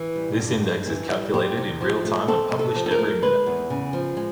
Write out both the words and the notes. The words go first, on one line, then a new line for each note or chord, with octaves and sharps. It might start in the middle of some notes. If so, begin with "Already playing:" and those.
This Index is calculated in real-time and published every minute.
Already playing: E3
G3
G2
G2
E3
G3
C4 G4
C3
F3
A3
C4 A4
C3
A4
F3
A4
A#4
A3
G#3 B4
E2
C#3
F3
G#3